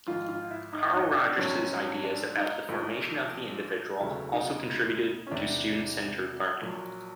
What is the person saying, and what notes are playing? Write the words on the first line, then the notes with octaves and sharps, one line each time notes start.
Carl Rogers' ideas about the formation of the individual also contributed to student-centered learning.
G#1 G#2 F3 F4
F4
E4
D#4
E4
D#4
D4
A#1 G#2 D#3 F#3 C#4
D4
D#4
A#1 A#2 F3
E1 D2 C#3 F#3 E4
D#4
C#4
E1 E2 C3 D4
A#1 A#2 F#3